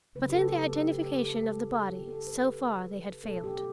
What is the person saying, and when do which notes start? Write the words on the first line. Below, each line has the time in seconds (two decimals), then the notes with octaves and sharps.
But in the identification of the body, so far they had failed.
0.15 C#3 F#3 A3 B4
0.29 G4
0.34 A4
0.54 A4
0.73 G4
0.92 G4
1.18 A4
1.44 A4
1.70 A4
1.89 G4
2.08 A4
2.27 B4
3.24 B2 F#3 A3 A4
3.44 G4